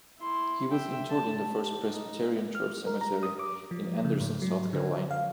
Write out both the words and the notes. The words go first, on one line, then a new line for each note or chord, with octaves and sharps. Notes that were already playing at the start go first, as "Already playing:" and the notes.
He was interred in the First Presbyterian Church Cemetery in Anderson, South Carolina.
E4 C6
E5 G5
A5
G4
D#4
F6
A#4
A#5
D#6
D6
F3
C#3
G#2
F#3
D3
F5